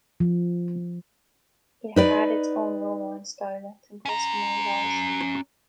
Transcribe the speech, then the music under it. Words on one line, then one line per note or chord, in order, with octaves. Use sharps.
It had its own Romance dialect and customary laws.
F3
D#4 B4 D5
C#4 A#5